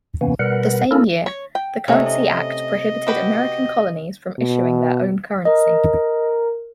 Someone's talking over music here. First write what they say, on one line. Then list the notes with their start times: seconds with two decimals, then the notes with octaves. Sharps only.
The same year, the Currency Act prohibited American colonies from issuing their own currency.
0.21 C3 E3 A#3 B3 C#4
0.39 B2 G3 A#4 B4 F#5
0.91 A#3 C#4 D4 E4 A4 A#4
1.26 C#5
1.55 G5
1.88 C3 A3 C#4 D#4
2.06 D#5
3.07 F#4 G4 B4
4.38 B2
5.45 A#4 D#5